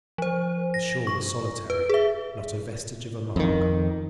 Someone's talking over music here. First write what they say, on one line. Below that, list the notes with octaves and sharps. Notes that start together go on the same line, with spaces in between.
The shore was solitary; not a vestige of a mark.
F3 C5
A#6
C#6
B4
G#4 E5
F2 D#3